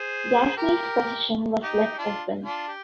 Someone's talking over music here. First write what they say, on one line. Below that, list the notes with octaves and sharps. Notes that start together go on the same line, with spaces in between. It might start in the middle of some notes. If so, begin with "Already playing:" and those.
Gaffney's position was left open.
Already playing: G#4 C5
G4 A#4
D#4 G4
D4 F4
D4 F4
G4